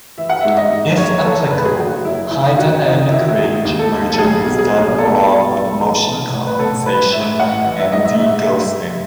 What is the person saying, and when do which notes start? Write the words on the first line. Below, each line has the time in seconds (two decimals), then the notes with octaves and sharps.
If applicable, high dynamic range merging is done along with motion compensation and deghosting.
0.18 E3 E5
0.30 F#5
0.41 G#2 E5
0.57 D#5
0.70 G#2
0.97 F#1 C#5
1.25 E3 A4
1.51 F#1 B4
1.65 G#4
1.78 F#1 F#4
2.05 F#1 E4
2.31 E3 E4
2.58 D#3 F#4
2.85 D#3 D#4
3.11 D#3 E4
3.20 F#4
3.28 E4
3.38 D#2 G#4
3.65 D#2
3.79 A4
3.92 D#2
4.13 A4
4.18 B1 G#4
4.45 B2
4.59 G#4
4.72 B1
4.98 B2 A4
5.25 B2
5.51 B1
5.79 E3
6.06 E3
6.33 A1
6.47 B4
6.58 A1 A4
6.86 A2 B4
7.12 A2 E5
7.39 A1 F#5
7.65 E3
7.79 E5
7.92 G#2 D#5
8.05 E5
8.19 G#2 E5